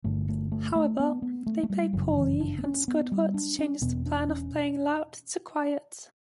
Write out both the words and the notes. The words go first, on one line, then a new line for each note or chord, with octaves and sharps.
However, they play poorly, and Squidward changes the plan of playing loud to quiet.
G1 G2 D3 A3
A3
A3
A3
B3
B3
A3
A3
G3
G1 F#2 C#3 F#3
E3
D4
B3
C#4
B3
G3
D4
C#4
E1 E2 B2 B3
D4
C#4